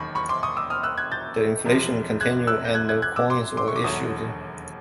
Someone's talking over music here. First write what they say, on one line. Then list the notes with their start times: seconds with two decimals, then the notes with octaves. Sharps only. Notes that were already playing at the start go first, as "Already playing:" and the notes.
The inflation continued and no coins were issued.
Already playing: E1 D#2 D#3 F#3 B5 C#6
0.15 B5 C#6
0.29 C6 D6
0.43 C#6 D#6
0.57 D6 E6
0.70 D#6 F6
0.83 E6 F#6
0.98 F#6 G#6
1.12 G6 A6
1.66 E1 E2 C3 F3
2.20 F#6 G#6
2.47 E6 F#6
2.65 G6
2.75 F#6 G#6
2.89 F#6 G#6
3.02 F#6 G#6
3.16 D6 E6
3.30 C6 D6
3.57 C6 D6
3.68 C#6
3.76 D6
3.84 E1 D#2 D3 F#3 C#6 D#6